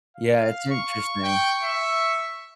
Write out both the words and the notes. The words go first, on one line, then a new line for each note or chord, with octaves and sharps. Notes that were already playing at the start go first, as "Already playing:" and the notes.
Yeah, it's interesting.
F5
C#6
G5
E5